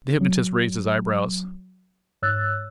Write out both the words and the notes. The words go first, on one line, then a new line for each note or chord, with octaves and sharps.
The hypnotist raised his eyebrows.
F#3
G#2 C#5 E6 F#6 A6